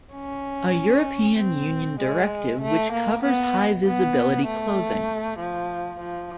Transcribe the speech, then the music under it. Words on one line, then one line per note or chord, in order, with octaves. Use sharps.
A European Union directive which covers high-visibility clothing.
C#4
C4
G#3
A3
A#3
B3
B3
A3
F3
F3